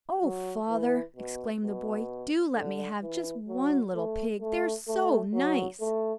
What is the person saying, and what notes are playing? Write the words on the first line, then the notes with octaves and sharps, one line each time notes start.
"Oh, Father!" exclaimed the boy, "do let me have just one little pig. They are so nice!"
F#3
E3
B2
B2
D3
E3
F#3
A3
A3
A3
F#3
A3